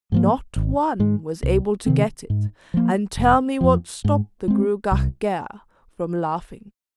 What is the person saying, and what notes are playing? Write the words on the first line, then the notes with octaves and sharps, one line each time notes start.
Not one was able to get it and tell me what stopped the Gruagach Gaire from laughing.
G#2 F3 A#3
G#1
G#2 G#3
C2
C3 D#3 C4
G#2
F3 A#3
F1
F2 F3
G#2
G#3 C4
C2